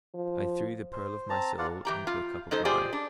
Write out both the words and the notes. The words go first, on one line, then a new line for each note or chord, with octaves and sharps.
I threw the pearl of my soul into a cup of wine.
F3
C5
C4 A5 A#5
F4 D5 F#5
E3 G4 A#5
F4
G#3 D#4 A4 C5
F4 G4 G#4 C5 D5
D4